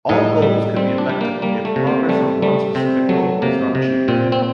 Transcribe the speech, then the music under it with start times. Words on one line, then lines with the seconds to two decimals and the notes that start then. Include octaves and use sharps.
All goals could be affected if progress on one specific goal is not achieved.
0.09 A2 D#4
0.42 G3
0.76 G3 C4
0.98 D4
1.09 G3
1.21 A#3
1.42 G3 A#3
1.65 A3
1.76 C3
1.87 A#3
2.09 G3 A3
2.42 G3 A3
2.75 C3 C4
3.09 F#3 A3
3.42 C3 A#3
3.75 C3
4.08 A#2 C4
4.32 C4